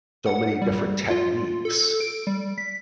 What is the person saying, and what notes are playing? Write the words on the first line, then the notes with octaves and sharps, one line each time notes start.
so many different techniques
F#5
G3
F4
A4
D7
G3
B6